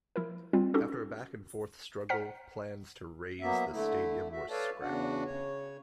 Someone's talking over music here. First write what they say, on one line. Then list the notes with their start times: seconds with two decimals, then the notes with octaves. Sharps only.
After a back and forth struggle, plans to raze the stadium were scrapped.
0.16 F3 E4 A#4
0.53 G3 C4 F4
0.74 C#4 D#4 F#4 G4 A4
2.09 C5 F#5 A#5 F6 B6
3.40 F#3 A#3 B3 E5
3.73 D3 A3 E4
4.32 F#4 E5
4.50 A4 B4 C#5 D5 F5 A5
4.82 E2 C#3 D4 F#4 F#5
5.26 C#3 C#5